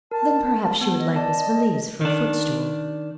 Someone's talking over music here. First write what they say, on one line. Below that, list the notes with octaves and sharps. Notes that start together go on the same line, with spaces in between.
Then perhaps she would like this valise for a footstool?
A#4 A5
B3
D#5
D5 A5
D#3 D4